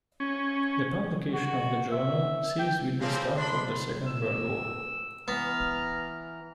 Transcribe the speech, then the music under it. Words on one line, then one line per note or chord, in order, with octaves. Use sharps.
The publication of the journal ceased with the start of the Second World War.
C#4
F#4
E5
G5
C#3 F3 G3 A#3 C4
D4 D#4 B5 C6
E6
E3 B3 A#5 F6